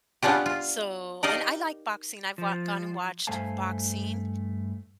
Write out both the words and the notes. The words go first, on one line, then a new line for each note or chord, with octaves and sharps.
So, and I like boxing, I've wa gone and watched boxing,
B3 C#4 D4 F4 G4
F4
D#4 G4 A#4 D5 D#5 F5
F3
G2 A3 C5 F5 G#5 A5